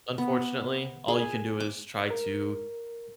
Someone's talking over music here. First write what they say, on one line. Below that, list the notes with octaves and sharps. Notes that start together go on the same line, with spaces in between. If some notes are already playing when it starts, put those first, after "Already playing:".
unfortunately. All you can do is try to
B3
G#4
D6
A#4